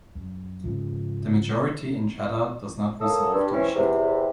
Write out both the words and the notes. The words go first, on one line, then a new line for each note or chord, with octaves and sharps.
The majority in "Chadha" does not resolve the issue.
F#2
G#2 C#3 F3
A#3 A4 C#5 D#6 E6
G2
E3 C4 C#4
E2 C3